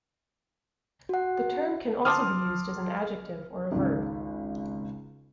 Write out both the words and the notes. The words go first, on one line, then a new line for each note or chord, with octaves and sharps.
The term can also be used as an adjective or a verb.
F#4 F#5
A5 C6 D6 D#6 F6
G#1 C#2